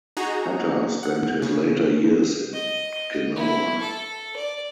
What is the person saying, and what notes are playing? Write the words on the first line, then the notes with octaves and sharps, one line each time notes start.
Hutter spent his later years in Genoa.
D#4 F#4 G#4 A#5
F#5
C#3
D#5
E4
A4
D5